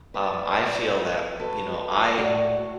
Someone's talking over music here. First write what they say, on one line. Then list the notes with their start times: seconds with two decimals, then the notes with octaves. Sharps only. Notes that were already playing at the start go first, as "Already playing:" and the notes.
Um, I feel that, you know, I
0.14 B4 D5
1.40 F#4 A4 B4
2.17 A2 F#4 D5 F#5